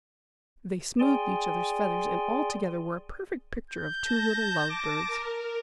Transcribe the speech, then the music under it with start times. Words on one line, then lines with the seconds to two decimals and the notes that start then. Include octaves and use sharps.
They smoothed each other's feathers and altogether were a perfect picture of two little lovebirds.
1.00 G#4 D5 G5 G#5 C6
3.71 G6
4.02 A5 A#6
4.70 D6
5.07 A#4